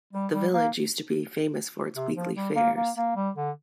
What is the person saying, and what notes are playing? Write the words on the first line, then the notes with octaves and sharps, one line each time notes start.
The village used to be famous for its weekly fairs.
G3
G3
A#3
C3
F3
G3
A#3
A#3
A#3
G3
D3